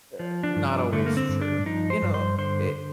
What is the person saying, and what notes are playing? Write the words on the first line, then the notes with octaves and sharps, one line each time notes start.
uh, not always true. You know, it
F3
D4
G2
D4
D3 A3
A#3
C4
G2
D4
F3 D#4
C5
G2
C5
D3 C5